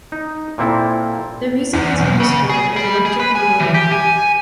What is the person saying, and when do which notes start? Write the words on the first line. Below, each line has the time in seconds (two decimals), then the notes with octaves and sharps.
Their music has been described as electric maloya.
0.12 D#4
0.58 A#2 A#3 C4 E4 A4
1.73 E2
2.00 B1
2.20 C#3
2.49 G#4
2.76 G3
3.05 G#4
3.20 B4
3.35 G#5
3.60 E3
3.74 G4
3.92 G#5